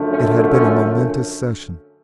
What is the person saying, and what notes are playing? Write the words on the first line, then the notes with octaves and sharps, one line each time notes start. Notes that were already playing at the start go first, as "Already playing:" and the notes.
It had been a momentous session.
Already playing: F#2 D3 F3 A3
C#4
C#4